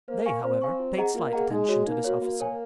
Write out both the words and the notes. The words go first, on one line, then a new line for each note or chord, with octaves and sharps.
They, however, paid slight attention to this officer.
A#3 C5
F5 G#5 C#6
C4 C5
F5 G#5 C#6
F4
G#4 D#5 F#5 A#5
A#3 F4
G#4 D#5 F#5 A#5
G#3 D#4
F#4 C#5
A#3 D#4
F#4 C#5
A#3 F#4
A#4 C#5 G#5